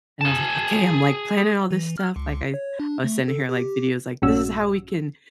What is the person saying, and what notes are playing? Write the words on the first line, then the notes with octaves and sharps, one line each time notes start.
And I was like, "Okay. I'm, like, planning all this stuff." Like, I I was sending her, like, videos, like, "This is how we can
G#4 A5
E3
F6
C#2
C#5
D4
A3
A4
G4
A#1 G2 A#2 C#4 F#4 E6